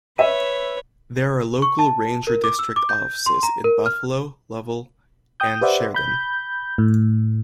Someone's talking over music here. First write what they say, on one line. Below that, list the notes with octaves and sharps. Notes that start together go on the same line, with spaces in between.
There are local ranger district offices in Buffalo, Lovell, and Sheridan.
B4 C#5 E5 D#7
C#6
A5
A#4
D6
E6
D6
G6
C6
A#5
A#4
F6
G5 D#6 G6
G4 B4 C5 D5 E5 F#5
B5 G6
A2